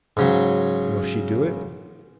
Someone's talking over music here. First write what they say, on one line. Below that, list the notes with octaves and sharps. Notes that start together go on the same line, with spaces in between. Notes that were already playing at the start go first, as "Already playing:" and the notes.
Will she do it?
G#2 C#3 F#3